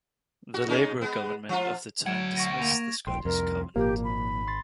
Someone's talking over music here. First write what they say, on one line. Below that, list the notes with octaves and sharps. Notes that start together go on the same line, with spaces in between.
The Labour government of the time dismissed the Scottish Covenant.
F#4
G#3 C#4 D#4
G#3 B3
F3 F4
D2 F#3 F#5 G#6 D7 E7
C#6 A#6
A#3 A#6 F7
D#1 A#1 G5 C6
C2 F2 A#4
G#1 A#2 F3 A#3 G4
B5
C6 A6